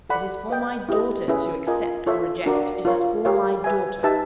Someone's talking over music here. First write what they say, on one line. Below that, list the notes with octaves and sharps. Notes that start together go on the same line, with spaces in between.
'It is for my daughter to accept or reject; it is for my daughter.
A4 D5 F#5 B5
B4 D#5 G5
E4 G4 B4 D#5
C#4 E4 G#4 B4 E5
F4 A#4 D#5 G#5
F4 A4 C#5 E5
D4 F#4 A#4 D5 F5
F4 A#4 C#5 F5
G4 A#4 C#5 F5
B4 E5 G#5
D#4 G4 B4 E5 A5